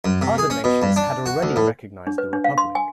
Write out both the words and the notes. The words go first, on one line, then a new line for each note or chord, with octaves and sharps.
Other nations had already recognized the Republic.
F#2
C3
G#4
C#4
B2
G2
D4
F#4
D2
A2
D4
B4
D4
F5
C6
G#5